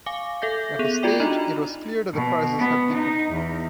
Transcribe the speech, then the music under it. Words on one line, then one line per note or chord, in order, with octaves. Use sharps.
At this stage, it was clear that the crisis had deepened.
F5 G#5 C#6 D6
A4 E5 G6 A#6
B3 G#4 F#6 D#7 F7
F4 F#4 D5 G5 D6
D4 D#4 D#5 A#5 B5
B2
B3
D#4
E2